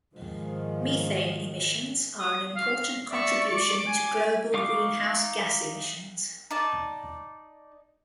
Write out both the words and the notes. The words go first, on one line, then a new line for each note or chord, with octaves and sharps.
Methane emissions are an important contribution to global greenhouse gas emissions.
G#2 D#3 F3 G#3
D#6
F5
D5 E5 C#6
D6
G#5
D#4 F5 C#6 D6
D#4 D5 A5